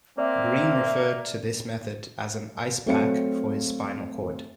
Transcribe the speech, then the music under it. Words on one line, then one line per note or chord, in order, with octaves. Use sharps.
Green referred to this method as an ice-pack for his spinal cord.
A#3 C4 D5 E5
F#3 A3 C4 F5 C#7